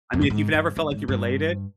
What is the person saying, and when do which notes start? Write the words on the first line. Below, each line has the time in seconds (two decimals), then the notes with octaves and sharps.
I mean, if you've never felt like you related
0.13 F2
0.21 G2
0.30 G#2
0.54 G2
0.77 G2
0.92 G#2
1.08 G2